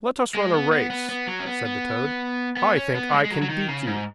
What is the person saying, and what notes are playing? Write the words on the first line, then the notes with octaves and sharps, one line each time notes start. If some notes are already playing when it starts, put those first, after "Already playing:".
"Let us run a race," said the toad, "I think I can beat you."
G#3
B3
B3
B3
B3
F#3
C#4
B3
B3
B3
C#4
B3
G#3
G#3
F#3
F#3
D#3
C#3
G#2